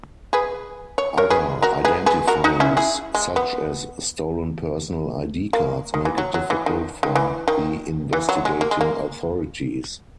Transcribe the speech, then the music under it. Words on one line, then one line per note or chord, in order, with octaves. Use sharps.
Other identifiers such as stolen personal ID cards make it difficult for the investigating authorities.
G#4 B4
C#5
A#4 C#5
G#4 B4
F#4 A#4
G#4 B4
G#4 B4
F#4 A#4
D#4 F#4
C#4 E4
E4 G#4
G#3
B3
A#3
D#3
E3
F#3
F#3
E3
D#3
D#3
E3
D#3
E3
F#3
G#3
A#3
G#3
A#3